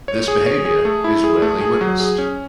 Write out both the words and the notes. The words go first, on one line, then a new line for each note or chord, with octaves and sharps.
This behaviour is rarely witnessed.
C#5
G#4
C#5
G#4
A3
E4
G#4
A3
G#4
F#3
G#4
C#4